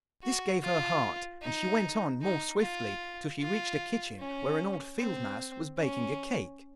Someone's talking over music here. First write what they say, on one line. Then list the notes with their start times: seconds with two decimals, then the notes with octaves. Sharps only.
This gave her heart, and she went on more swiftly, till she reached a kitchen where an old field mouse was baking a cake.
0.23 F#4
0.62 F4
1.42 D#4
2.22 D#4
2.60 F4
3.41 F4
4.19 C#4
4.98 C4
5.78 C#4